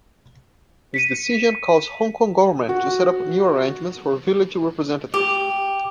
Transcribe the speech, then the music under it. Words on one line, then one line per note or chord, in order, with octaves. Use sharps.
This decision caused Hong Kong Government to set up new arrangements for Village Representative.
B6 C#7 D#7
F#4
G4